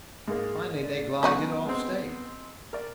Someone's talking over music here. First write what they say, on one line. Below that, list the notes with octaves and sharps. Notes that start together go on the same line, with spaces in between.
Finally they glided off stage.
G#2 A#3 G#4
D5
B1 B3 C#4 D#4 F#4
G#3 C4
A#4 D5